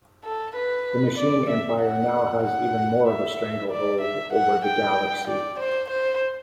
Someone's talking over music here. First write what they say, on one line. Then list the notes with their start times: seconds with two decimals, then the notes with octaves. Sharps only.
The Machine Empire now has even more of a stranglehold over the Galaxy.
0.24 A4
0.56 B4
1.18 D5
1.50 E5
1.82 F#5
2.44 F#5
3.07 E5
3.71 D5
4.02 E5
4.33 F#5
4.66 G5
5.28 D5
5.60 C5
5.91 C5